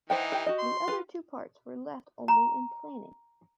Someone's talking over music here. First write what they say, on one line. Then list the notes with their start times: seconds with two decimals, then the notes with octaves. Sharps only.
The other two parts were left only in planning.
0.10 E3 D#4 C5 F#5 G5
0.32 G4 G5
0.46 F#4 G4 D#5
0.58 C6
0.88 F4 B4
2.28 A#5